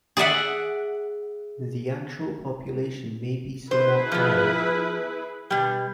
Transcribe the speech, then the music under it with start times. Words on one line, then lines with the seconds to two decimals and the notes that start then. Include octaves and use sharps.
The actual population may be somewhat higher.
0.17 G#4 D5 E5 F#5
3.71 E4 G#4 B4 C5
4.12 F3 B3
5.50 B2 G3